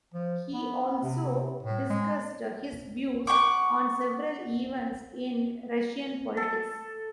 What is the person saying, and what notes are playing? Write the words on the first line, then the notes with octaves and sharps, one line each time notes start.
He also discussed his views on several events in Russian politics.
F3
B3
C3
A2
G#3
F#5 G5 C#6 D6
A4